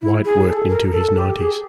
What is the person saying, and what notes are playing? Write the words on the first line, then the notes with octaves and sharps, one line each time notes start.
White worked into his nineties.
E4
G#4
A4
A#4
A4
G4
G#4